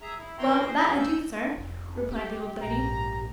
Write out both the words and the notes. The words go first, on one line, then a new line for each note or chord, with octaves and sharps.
'Well, that I do, sir,' replied the old lady.
G#4 E5 A#5
E4
E3 E4 F#4 G5 A#5 C6
G#4 C5
E2 G4 G#4 D5 F5
E6 G6
F1
G4
A#1 G#2 A#5